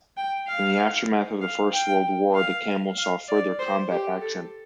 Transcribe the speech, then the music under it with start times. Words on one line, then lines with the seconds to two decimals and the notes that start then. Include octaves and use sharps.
In the aftermath of the First World War, the Camel saw further combat action.
0.17 G5
0.48 F5
1.41 F5
1.73 G5
2.35 F5
2.98 F5
3.28 D5
3.59 C5
3.91 G4
4.21 A4